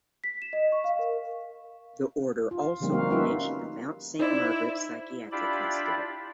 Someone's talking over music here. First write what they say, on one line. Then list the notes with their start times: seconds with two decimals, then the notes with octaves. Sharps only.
The order also managed the Mount St Margaret psychiatric hospital.
0.24 B6
0.42 E7
0.53 D#5
0.72 C#6
0.84 F5
0.99 A#4
2.51 F4
2.80 D3 F3 G3 A#3 C4 D#4
2.92 F#4 F5
3.10 A#3 C#4 D#4 F4 B4 E5
4.19 D#4 E4 C5 D5
5.32 D4 E4 F4 G4 D5 B5